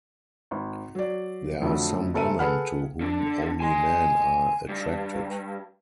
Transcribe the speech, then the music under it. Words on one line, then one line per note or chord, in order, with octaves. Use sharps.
There are some women to whom only men are attracted.
G#1
F#3 D5
F2 D3 F#3 A3
F#1 A4 E5 D#7
G#4 A4 B4 F#5 B5 F6
D3 D4
G#5 C6
G2